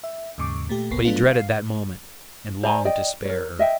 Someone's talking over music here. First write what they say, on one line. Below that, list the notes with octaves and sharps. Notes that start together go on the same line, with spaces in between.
But he dreaded that moment and longed to spare her.
E5
D#2 G#2 C#3 C#6 D6
A#2 A3 G4
G1 C2 A#3 B3 C7
F#3 A3 B3 D4 F4
F5 C7
C5 D5 G#5 A#5
D5 D#5 G5
A#4 C#5
D#5 E5 G5